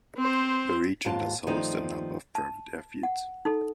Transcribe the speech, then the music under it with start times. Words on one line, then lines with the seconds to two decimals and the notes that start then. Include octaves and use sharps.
The region does host a number of private airfields.
0.17 C4 C5
1.05 D#2 G#2 F4 A5
1.47 G2 D#3 F3 A3 C4 D#4
2.35 A5
3.03 F#5
3.45 D#4 A4